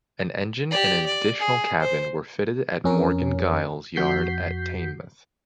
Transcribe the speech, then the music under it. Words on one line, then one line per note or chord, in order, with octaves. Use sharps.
An engine and an additional cabin were fitted at Morgan Giles's yard at Teignmouth.
G4 D5
D5
G#4
C5
F2 C#4 A#4
F2 F#4 G6 B6 C7